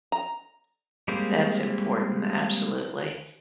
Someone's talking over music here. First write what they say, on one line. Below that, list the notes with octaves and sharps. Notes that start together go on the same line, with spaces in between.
That's important, absolutely.
A#5
G3 G#3 A#3 C4